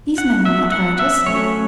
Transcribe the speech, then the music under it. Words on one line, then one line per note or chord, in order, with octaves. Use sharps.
These men will not hurt us.
F#5
E5
F#5
E5
F#3 A3 C#4 C#5